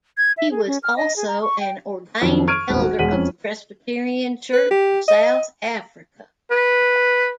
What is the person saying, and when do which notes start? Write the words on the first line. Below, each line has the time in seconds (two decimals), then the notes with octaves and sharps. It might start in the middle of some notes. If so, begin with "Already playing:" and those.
He was also an ordained elder of the Presbyterian Church of South Africa.
0.17 G#6
0.37 E5
0.51 G#4
0.67 C#4
0.83 F6
0.97 D#5
1.17 G#4
1.28 A#5
1.42 C#6
1.60 G5
2.22 F2 D#3 F#3
2.48 C#6 F6 G#6 D7 D#7
2.69 D#1 G#1
2.82 F#4
2.99 E1 G#3 F#5 B6 D#7 F#7
3.12 F2 C#4
4.53 B4
4.71 G4
5.08 D#5
6.51 B4